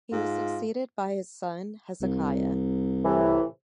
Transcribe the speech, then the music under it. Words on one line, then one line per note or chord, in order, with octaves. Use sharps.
He was succeeded by his son Hezekiah.
G#2 F4
C2
A2 C3 E3